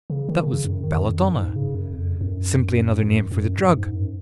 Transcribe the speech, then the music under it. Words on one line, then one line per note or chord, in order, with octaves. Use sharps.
That was belladonna, simply another name for the drug.
C#3
D#3
C#3
F#2
D#3
F2
F#2
G#2
C#3
F#2
F2
F#2
F#2
F#2
F#2
G#2
F#2